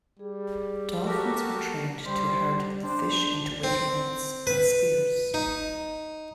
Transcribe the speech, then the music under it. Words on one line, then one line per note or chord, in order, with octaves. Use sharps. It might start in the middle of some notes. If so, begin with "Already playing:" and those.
Dolphins were trained to herd the fish into waiting nets and spears.
G3 G#4
F#4 G4 A4 A#4
G3 C5
D4 C5
C4
B4
D#4